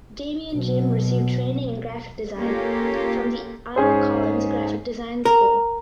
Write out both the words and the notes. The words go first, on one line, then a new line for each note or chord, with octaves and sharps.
Damian Jim received training in graphic design from the Al Collins Graphic Design School.
B2 F#3
A#3 C#4 F4 G4 A4
G#2 C#4 G#4 C5
A#4